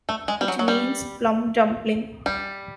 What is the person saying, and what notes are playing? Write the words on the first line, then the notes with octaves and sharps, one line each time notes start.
It means plum dumpling.
A3
G#3
G3
F#3
F#3
G3
G3